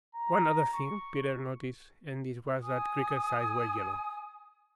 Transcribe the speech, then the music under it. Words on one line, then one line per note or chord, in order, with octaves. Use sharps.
One other thing Peter noticed and this was that Creaker's eyes were yellow.
A#5
C#6
G#5 D#6